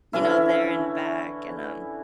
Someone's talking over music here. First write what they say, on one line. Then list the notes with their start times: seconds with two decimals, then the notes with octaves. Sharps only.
you know, there and back, and, um,
0.13 D3 E3 C#4 E4